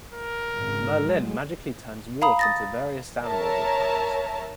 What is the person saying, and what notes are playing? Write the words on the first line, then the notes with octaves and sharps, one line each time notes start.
Merlyn magically turns Wart into various animals at times.
A#4
G#1 C#3
F#3 G#3
F5 A#5 B5 D#6
D#6 A6 A#6
A#4 C#5 E5 A5 A#5